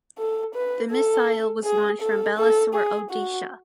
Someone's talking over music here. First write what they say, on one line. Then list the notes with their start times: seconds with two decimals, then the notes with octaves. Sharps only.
The missile was launched from Balasore, Odisha.
0.19 A4
0.55 B4
0.91 A4
1.64 G#4
2.01 A4
2.38 A4
2.74 G#4
3.11 F#4